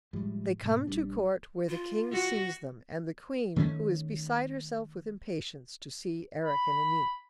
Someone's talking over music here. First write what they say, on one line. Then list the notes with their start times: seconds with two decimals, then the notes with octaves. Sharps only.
They come to court, where the King sees them, and the Queen, who is beside herself with impatience to see Erec and Enide.
0.13 A2 F3 G3 G#3
0.62 G#2 B2 A#3
0.87 A#1 G3 D4
1.69 F4
2.13 F#4
3.56 D#3 A3 B3 C#4
6.44 B5